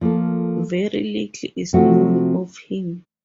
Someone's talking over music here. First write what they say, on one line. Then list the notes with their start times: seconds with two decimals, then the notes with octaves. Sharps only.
Very little is known of him.
0.01 F3 A#3 F4 A4
1.73 C3 F3 A3 C4 F#4